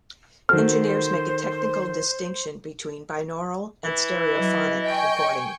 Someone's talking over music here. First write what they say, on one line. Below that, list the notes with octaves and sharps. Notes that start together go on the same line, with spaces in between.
Engineers make a technical distinction between "binaural" and "stereophonic" recording.
D#3 F#4 A4 C5 F6
E3 E4
F#3 D#5
G5 G#5 C#6